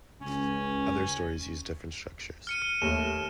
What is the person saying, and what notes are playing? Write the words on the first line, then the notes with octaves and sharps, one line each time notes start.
Other stories use different structures.
C#2 C#4
F6 C#7 D#7
D#2 A3 E7